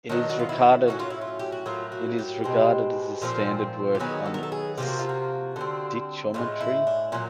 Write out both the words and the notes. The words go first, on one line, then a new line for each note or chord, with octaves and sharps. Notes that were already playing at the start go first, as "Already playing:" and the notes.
It is regarded as the standard work on stichometry.
D#3 F#3 B3 D4
F#4
F4
E4
A2 F#3 A3 C#4 F#4
F4
E4
F4
G4
F#4
A2 F#3 A#3 F4
F#4
G4
B2 G#3 C4
A#2 F3 A3 C4
G4
D#3 F#3 B3 G#4
A4
A#4
A4
G#4
C3 F3 A#3 G4
F#4
F4
F#4
D3 G3 C4
A2 F3 G#3 F4
E4
D4
A#2 F#3 C#4